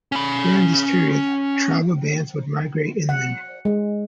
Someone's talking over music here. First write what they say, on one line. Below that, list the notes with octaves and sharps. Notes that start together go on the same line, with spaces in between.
During this period, tribal bands would migrate inland.
C#4 B5
F#5
G#3